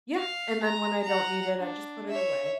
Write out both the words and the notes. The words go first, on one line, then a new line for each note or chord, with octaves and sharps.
Yeah, and then when I don't need it, I just put it away.
F5
A#5
F#5 A#5
D4
C#5 E5